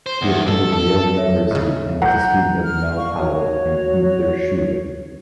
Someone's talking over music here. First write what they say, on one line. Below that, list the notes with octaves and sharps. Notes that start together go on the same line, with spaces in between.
He attended Yale University and was a student of Mel Powell and Gunther Schuller.
C5
E2
A4
A4
A4 C#5 E5
G#2 C#3
B1 A2 F#5 A#5 G6
F6
F5 C#6
F#4 C#5